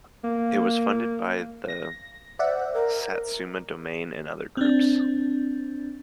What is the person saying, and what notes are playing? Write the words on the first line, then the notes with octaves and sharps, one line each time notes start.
It was funded by the Satsuma Domain and other groups.
A#3
A#6
C5 D5 E5 F#5
A#4
C4 D4